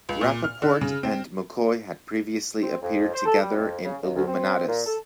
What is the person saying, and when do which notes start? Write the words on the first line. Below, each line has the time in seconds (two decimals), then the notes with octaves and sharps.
Rappaport and McCoy had previously appeared together in Illuminatus!
0.09 C#2
0.21 A#2
0.44 F6
0.62 D3
0.81 C#3
1.03 C4
2.63 C4
2.82 F2
3.14 C5
3.26 A4
3.42 G3
3.56 F2
3.85 C#3
4.02 D#2
4.16 D2
4.28 C4
4.68 A#2
4.86 A4